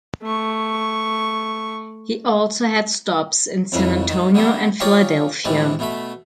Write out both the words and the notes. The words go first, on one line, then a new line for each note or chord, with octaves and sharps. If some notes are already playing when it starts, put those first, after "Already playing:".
He also had stops in San Antonio and Philadelphia.
A3 C#6
F2 G#2 C#3 E3
G#2 D#3
D3 G3 A3 B3
F4 G4 G#4 A#4 C#5 D5
A2 C3 E3 G3 G#3
B2 A3 B5